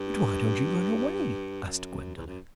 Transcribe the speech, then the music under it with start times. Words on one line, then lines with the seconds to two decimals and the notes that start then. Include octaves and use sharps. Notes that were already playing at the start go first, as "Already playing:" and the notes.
"But why don't you run away?" asked Gwendolen.
Already playing: G2
1.64 F#2
2.15 E2
2.27 F#2